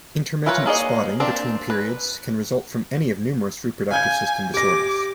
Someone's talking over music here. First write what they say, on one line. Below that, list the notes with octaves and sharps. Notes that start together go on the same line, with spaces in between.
Intermittent spotting between periods can result from any of numerous reproductive system disorders.
E4 F4 A#4 B4 C#5
A#3 G#4 C#5 D#5
A#3 C4 D4
B4
F5 G#5 G6 G#6
G4 D6 A#6